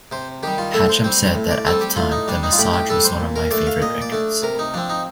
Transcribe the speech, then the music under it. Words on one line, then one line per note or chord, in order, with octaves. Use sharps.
Padgham said that "At the time "The Message" was one of my favorite records".
C3 C5
D#3 G3 G4
F4
A2 A4
C5
G3 C4 C5
A2
D5
G3 C4 A4
G4
A2 F4
D#4
G3 D4
D#4
F4
A2 G4
G4
G3 D4 A4
C5
A#2
A#4
A3 D4 D5
F5
A#2 D#5
D5
A3 D4
C3 A#4
D#4
F3 C4 D4
D#4